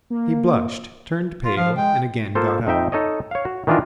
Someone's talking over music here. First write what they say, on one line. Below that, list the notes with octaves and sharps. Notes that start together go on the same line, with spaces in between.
He blushed, turned pale, and again got up.
A#3
F4
F3 F5
G#3 G5
A#3 F4 A4 C5
F2 D#4 E5 G5
D#4 A4 C#5 D#5
C#5 F5
F#4
D#3 E3 D4 E4 F4 A#4